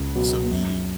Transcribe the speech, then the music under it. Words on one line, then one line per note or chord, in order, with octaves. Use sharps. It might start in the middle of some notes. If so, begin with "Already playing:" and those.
so needy.
Already playing: C#2
B2 F#3
F#2